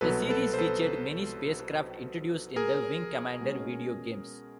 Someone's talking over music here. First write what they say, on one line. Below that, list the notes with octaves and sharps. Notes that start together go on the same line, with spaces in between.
The series featured many spacecraft introduced in the "Wing Commander" video games.
C2 B2 F#3 A4 B4
A4 B4
C5
A4 B4
G#4 A#4
B2 G#3 C#4